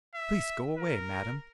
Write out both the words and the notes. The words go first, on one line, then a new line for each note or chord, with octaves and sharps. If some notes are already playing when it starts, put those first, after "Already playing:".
"Please go away, madam!"
E5
A#4